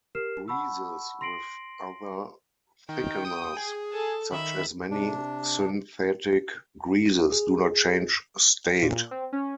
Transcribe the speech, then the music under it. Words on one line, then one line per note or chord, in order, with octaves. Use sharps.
Greases with other thickeners, such as many synthetic greases, do not change state.
G4 A#4 F6 C7 E7
F#5 A5 B5 C#6 E6
C6 A#6 C7 D7 F#7
D#3 G5
D#6
G#4
A4
D#3 E5 B5
C3 D4
G#4
A#2
C4
C#4